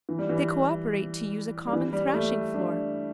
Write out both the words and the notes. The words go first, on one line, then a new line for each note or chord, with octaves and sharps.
They co-operate to use a common thrashing floor.
E3
G3
E3
G3
E3
G3
A3
D4